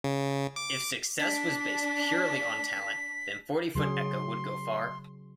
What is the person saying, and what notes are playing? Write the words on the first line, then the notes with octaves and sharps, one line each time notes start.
If success was based purely on talent, then Forty Foot Echo would go far.
C#3
D6
D4 B6
C#3 F#3 G#4 C6